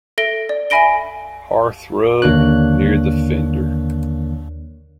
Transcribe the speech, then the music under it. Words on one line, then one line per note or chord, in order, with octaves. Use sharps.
Hearthrug, near the fender.
A4 E5 A#6 D7 G7
D5
E5 G#5 B5 A#6 D7 G7
D#2 D3 A#3 D4 C#5 F#6